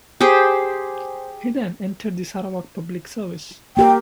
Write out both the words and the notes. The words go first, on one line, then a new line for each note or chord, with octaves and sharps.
He then entered the Sarawak public service.
G4 G#4 C5
A#3 G4 A#4 G5